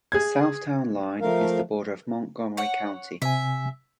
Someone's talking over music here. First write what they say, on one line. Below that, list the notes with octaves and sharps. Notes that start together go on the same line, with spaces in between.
The south town line is the border of Montgomery County.
G#4 G#6
F3 A3 A#4 F5
C#5 F#5
C3 E5 G#5